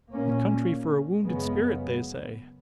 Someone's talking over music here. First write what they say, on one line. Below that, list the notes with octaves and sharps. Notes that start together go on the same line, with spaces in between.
The country for a wounded spirit, they say.'
A#2 A#3 C#4
F#2 C#3 G#3 B3